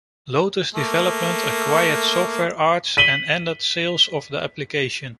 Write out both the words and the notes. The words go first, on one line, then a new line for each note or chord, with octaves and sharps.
Lotus Development acquired Software Arts and ended sales of the application.
A3 A#3
B6 D#7 F#7 G7